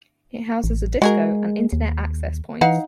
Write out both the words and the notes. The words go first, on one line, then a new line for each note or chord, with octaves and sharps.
It houses a disco and Internet access points.
A1
G#3 F#4 G#4 A#4
D#2
E3 D#4 F5 F#5